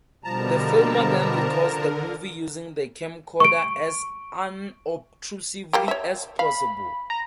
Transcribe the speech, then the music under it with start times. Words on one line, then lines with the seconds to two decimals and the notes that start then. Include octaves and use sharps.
The filmer then records the movie using the camcorder as unobtrusively as possible.
0.24 B2 D3 F3 G3 A#4 A5 A#5
3.40 C#6 D7
5.73 G3 A#3 G4
5.88 C#5 E5
6.39 F5 B5
7.10 A#5